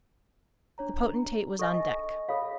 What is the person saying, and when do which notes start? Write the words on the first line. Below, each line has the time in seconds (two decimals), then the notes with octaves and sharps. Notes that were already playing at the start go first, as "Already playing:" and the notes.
The potentate was on deck.
0.78 D4 C#5 A#5
1.59 A4 D#5 G#5 C#6 A#6
2.29 G#4 A4 C#5 F5 B5